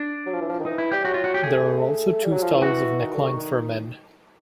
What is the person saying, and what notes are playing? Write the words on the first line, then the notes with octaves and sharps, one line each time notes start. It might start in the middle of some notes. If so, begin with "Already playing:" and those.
There are also two styles of necklines for men.
Already playing: D4
F#3
F3
E3
F3
D#3
E3 D#4
E4
G3 G4
F#3 F#4
F4
F#4
G4
A3 G#4
G3
F#3
F3
E3
F#4
D#3
D3
D#3